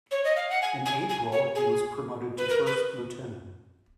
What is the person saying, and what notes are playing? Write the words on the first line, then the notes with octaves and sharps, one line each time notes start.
In April, he was promoted to first lieutenant.
C#5
D#5
F5
F#5
G#5
G#5
G#5
C#5
G#4
B4
A#4
B4